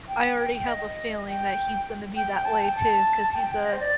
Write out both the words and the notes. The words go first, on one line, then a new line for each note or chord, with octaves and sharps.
I already have a feeling that he's gonna be that way too, 'cause he's a
G5
G5
G5
G5
D#5
G5
G5
A5
G5
A5
A5
G5
G5
D#5
C5
D5